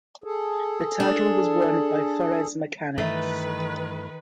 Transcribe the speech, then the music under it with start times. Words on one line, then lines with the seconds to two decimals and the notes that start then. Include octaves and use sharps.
The title was won by Forres Mechanics.
0.24 G#4 A4
1.00 D4
2.98 G2 D#3 E3 A3 B4